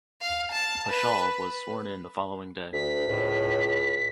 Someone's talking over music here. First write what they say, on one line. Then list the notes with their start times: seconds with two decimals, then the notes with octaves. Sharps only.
Paschal was sworn in the following day.
0.21 F5
0.52 A5
0.89 B4
2.73 D2 B6
3.08 C#2 A2